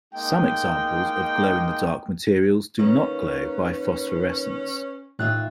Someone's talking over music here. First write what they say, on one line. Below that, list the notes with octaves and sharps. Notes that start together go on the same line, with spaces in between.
Some examples of glow-in-the-dark materials do not glow by phosphorescence.
G#3 A#3 D#4 D#5 G5
D#3 A#3 C#4 B4
A2 D#3 F4 E5 F#6